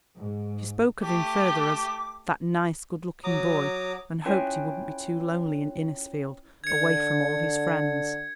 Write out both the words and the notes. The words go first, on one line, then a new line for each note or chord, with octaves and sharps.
She spoke of him further as "that nice, good-looking boy," and hoped he wouldn't be too lonely in Innisfield, away from all his friends.
G#2
A3 G4 D6
F#3 A#5 D6 D#6
C#4 E4 F4 B4 C#5 G5
D3 G#6 C#7